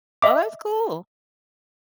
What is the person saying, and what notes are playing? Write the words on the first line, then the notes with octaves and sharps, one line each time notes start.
Oh, that's cool.
D#5 E5 D6